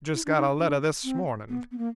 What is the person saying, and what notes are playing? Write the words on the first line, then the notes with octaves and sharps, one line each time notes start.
'Just got a letter this morning.'
E4
D4
D#4
D4
C4
B3
B3
A#3